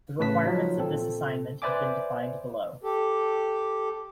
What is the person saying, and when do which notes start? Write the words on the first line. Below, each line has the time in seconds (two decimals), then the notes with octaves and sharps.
The requirements of this assignment have been defined below.
0.19 A2 C#3 B4 A5 B6
0.43 F3 F#3 D#4
0.78 A#2 C4 A4
1.62 B4 C5 D5 E5 G#5 D6
2.83 G4 A4